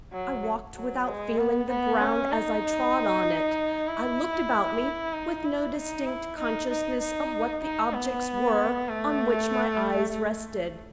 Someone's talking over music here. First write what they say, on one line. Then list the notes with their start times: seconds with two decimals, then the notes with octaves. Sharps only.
I walked without feeling the ground as I trod on it; I looked about me with no distinct consciousness of what the objects were on which my eyes rested.
0.13 F#3
0.76 F#3
1.07 G#3
1.38 B3
1.69 B3
2.01 C#4
2.32 D#4
3.88 E4
5.13 D#4
5.44 E4
5.75 D#4
6.07 E4
6.38 D#4
6.70 D#4
7.00 D#4
7.63 D#4
7.94 B3
8.88 A3
10.13 A3